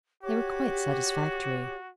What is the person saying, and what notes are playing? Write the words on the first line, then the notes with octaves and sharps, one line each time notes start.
They were quite satisfactory.
F#4 G4 C#5 D6